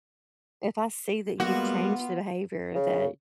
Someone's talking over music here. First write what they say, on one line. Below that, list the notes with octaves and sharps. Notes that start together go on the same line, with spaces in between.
if I see that you've changed the behavior that
G3 G#3 A#3 B3 F4 F#4
C#3